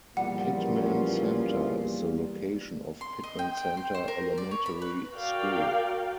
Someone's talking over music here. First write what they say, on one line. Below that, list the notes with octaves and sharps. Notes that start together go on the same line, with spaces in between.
Pittman Center is the location of Pittman Center Elementary School.
E2 A#2 F3 G3 C#4 F4 F#5
C6
D#5
G5
G5
C6
C5
A#4
D5
C#5
B5
B4
F#4 A#4 D5 F5 G5